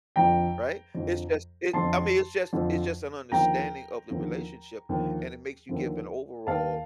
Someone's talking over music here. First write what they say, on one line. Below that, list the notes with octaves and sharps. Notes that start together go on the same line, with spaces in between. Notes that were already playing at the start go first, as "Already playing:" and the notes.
Right? It's just, it I mean, it's just it's just an understanding of the relationship, and it makes you give an overall
F2 D3 F3 G5 A#5
F2 D3 F3
F2 D3 F3 A5 C6
F2 D3 F3
D#2 D3 F3 G5 A#5
D#2 D3 F3
D#2 D3 F3
D#2 D3 F3
D#2 D#3 F5 A5